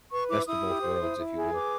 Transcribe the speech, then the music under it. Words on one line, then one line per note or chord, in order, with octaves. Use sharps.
Best of both worlds, if you will.
B4 C#6
E4 D6
E4 D#6
G4
C5
E4
E4
G#4
B4 D6